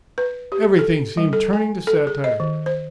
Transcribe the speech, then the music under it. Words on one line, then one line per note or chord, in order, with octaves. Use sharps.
Everything seemed turning to satire.
B4
G4
A4
G3
A4
G#5
A4
G#4
D#5
D#3
C5